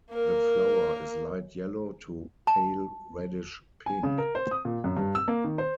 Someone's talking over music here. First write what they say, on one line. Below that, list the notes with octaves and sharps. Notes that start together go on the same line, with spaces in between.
The flower is light yellow to pale reddish-pink.
A#3 A#4
A5
G#5
C#3
A#4
C5
D#6
A#2
F#2
G2
E6
A#3
D#3
C5